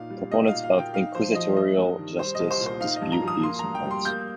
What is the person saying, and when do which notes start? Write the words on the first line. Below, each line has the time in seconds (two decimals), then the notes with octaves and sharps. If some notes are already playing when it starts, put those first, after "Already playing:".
Proponents of inquisitorial justice dispute these points.
Already playing: A#2 D#4 F5
0.10 G3
0.31 D#4 D#5
0.48 A#2 F5
0.63 F5
0.73 A#3
0.78 G5
0.94 D#4 F5
1.15 F2 C5
1.35 F3 D#5
1.57 G3 D#5
1.77 G2
1.98 D#3
2.18 G3 C5
2.35 C2 D#5
2.51 C5
2.60 A#2
2.66 C5
2.80 D#4 F5
2.96 D#5
3.02 G2
3.12 A#5
3.22 F3
3.28 D#6
3.43 A#3 C6
3.59 G2 A#5
3.75 G5
3.86 G3
3.91 C6
4.05 A#3 G6